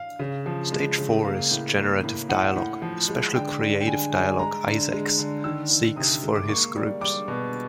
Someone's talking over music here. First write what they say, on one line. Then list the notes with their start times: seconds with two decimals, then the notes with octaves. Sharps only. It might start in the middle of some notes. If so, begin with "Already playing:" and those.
Stage four is "Generative Dialogue", a special "creative" dialogue Isaacs seeks for his groups.
Already playing: F5
0.19 C#3
0.46 F3
0.72 G#3
0.98 C#3
1.24 A#3 F5
1.51 A2
1.78 A#3
2.03 A2
2.29 A2 F#5
2.56 A2
2.82 F3
3.08 G#3
3.34 D3 G5
3.61 G3
3.81 G5
3.87 D3 G#5
4.13 G3 G#5
4.39 G#3 A#5
4.66 D3
4.92 G#3
5.18 D3
5.44 D#3 E6
5.71 D#3
5.96 C3 D#6
6.23 G#3
6.36 D6
6.49 A#3 C#6
6.76 G3
7.01 G3 D6
7.28 B2